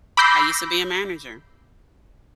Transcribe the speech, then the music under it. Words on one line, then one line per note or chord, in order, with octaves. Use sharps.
I used to be a manager,
B5 D6 E6 G6 A#6 C7